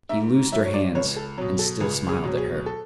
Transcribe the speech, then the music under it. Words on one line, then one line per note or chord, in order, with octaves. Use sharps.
He loosed her hands, and still smiled at her.
G#2 E5
F#3 E5
C#5
D5
C#2 C#5
A4
B2 F#3
A4
C#2 G#4
G#4
B2 F#3
G#4
A4